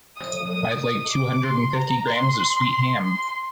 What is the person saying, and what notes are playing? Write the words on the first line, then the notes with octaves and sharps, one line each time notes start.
I’d like two hundred and fifty grams of sweet ham.
D#6
D#6
D#6
D6
C6
A#5
C6
C6